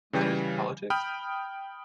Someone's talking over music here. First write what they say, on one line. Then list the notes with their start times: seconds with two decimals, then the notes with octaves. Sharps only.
Matters of politics?
0.13 C#3 E3 G3
0.90 G5 B5 D#6 F6 G6